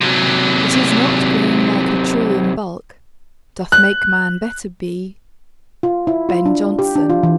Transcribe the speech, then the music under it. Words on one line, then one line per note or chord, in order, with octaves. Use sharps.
It is not growing like a tree In bulk, doth make man better be. BEN JONSON.
C3 F#3
F#6
F4
E4
F4
D4
G4
D4
F4
E3